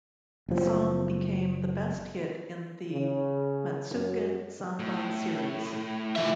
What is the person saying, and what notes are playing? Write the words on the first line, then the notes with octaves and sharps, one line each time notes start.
The song became the best hit in the "Matsuken Samba" series.
F#1 F3
C#3
F#2
A2
F3 E5